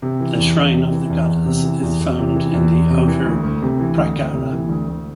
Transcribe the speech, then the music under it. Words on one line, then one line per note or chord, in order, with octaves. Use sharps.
The shrine of the Goddess is found in the outer prakaram.
C3
E3
E2
E2
C3
E3
E2
E2
C3
E3
E2
E2
C3
E3
E2
E2
C3
E3
D2
D2
C3
E3
D2
D2
C3
E3
D2
D2